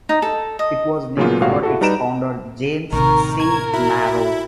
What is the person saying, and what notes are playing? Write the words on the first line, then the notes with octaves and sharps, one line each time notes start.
It was named for its founder, James C. Morrow.
D#4
A4
D#5
A#2 C#3 F#3 A#3 B3 F4
G#1 A2 C3 G#3 F#4 F5
E4 F#4 A4
G3 D#4 B4 A#5 D7 E7
A1 C3 D#3 A#4 A#5 C#6
A#4 G#6
E4 F#4